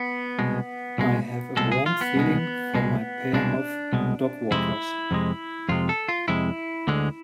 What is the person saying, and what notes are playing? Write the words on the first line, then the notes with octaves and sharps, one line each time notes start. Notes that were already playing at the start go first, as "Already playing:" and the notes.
I have a warm feeling for my pair of dogwalkers.
Already playing: B3
C2 B2 G#3
C2 B2 G#3
C2 B2 G#3 A4
G#4
F4
B3
C2 B2 G#3
C2 B2 G#3
C2 B2 G#3 D4
C2 B2 G#3
F2 C3 G#3 E4
F2 C3 G#3
F2 C3 G#3 F4
A4
F4
F2 C3 G#3 E4
D2 D3 G#3